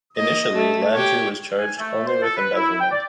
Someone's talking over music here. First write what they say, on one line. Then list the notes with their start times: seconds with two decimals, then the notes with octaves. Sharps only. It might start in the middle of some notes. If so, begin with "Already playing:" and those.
Initially, Landru was charged only with embezzlement.
0.16 A#3 D#5
0.53 A3
0.92 G4 C#5
1.58 G#5
1.78 A3
2.07 C5
2.22 A4
2.37 B4
2.55 E4
2.80 G5
2.91 D5